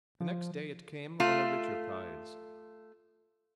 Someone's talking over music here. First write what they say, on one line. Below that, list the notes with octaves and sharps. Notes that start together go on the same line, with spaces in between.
The next day it came on a richer prize.
F3
A3 F4